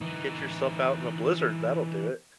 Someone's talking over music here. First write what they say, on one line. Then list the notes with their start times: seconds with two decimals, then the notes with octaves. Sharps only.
Get yourself out in a blizzard, that'll do it.
0.01 E3 D#4